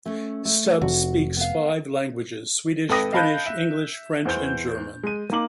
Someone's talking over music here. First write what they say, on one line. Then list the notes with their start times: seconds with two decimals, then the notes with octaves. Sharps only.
Stubb speaks five languages: Swedish, Finnish, English, French and German.
0.06 A3 C#4
0.45 A3
0.81 F1 F#4
1.37 B3 F5
2.89 G#1 A4 B4 G5 D#6 A#6
3.12 D#5 F5 A5 B5 F#6 G6
3.46 E5
4.25 E2 C5 G6
5.03 G#3 D#7
5.32 A#3 D#4 D6 F#7